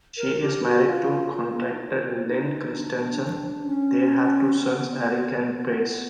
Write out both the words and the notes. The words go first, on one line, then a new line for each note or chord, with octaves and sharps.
She is married to contractor Len Kristensen; they have two sons, Eric and Bryce.
A#4
G4
F#4
F4
F4
D#4
E4
D#4
D4
C#4
B3
B3
B3
C4
B3